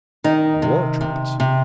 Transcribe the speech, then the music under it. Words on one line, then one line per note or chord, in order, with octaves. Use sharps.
War trumpets!
D#3 D#4
C3
C3
C3